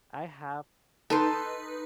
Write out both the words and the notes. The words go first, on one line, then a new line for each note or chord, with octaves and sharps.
I have
D#4 A4 B4 C6